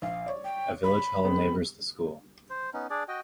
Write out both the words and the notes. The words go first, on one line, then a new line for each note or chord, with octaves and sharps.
A village hall neighbours the school.
A#1 F5
C#5 D5
G5
B5
G#3 B3 C4
C5
B3 C#4 D#4
D4 G#4 D5
F#4 D#5 G5